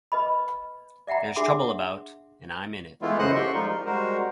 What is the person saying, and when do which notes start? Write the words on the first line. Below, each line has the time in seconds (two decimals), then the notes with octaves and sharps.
There’s trouble about and I’m in it.
0.12 B4 D#5 B5
1.07 D5 E5 F#5 G5 A#5
1.36 D4 G#4 E5 F#5 C6 D6
3.02 E3 G#3 A3 B3 E4 F4
3.19 F#2 C#3 C5 D#5 F#5 F#6
3.35 G4 A4 G5 C6 C#6
3.53 F3 G3 G#3 D#4 F4
3.69 A#4
3.86 G3 G#3 F#4 A#4 C5